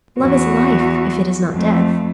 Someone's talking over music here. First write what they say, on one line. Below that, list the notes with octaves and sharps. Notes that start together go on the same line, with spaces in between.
Love is life, if it is not death.
E2 F#4
F2 A3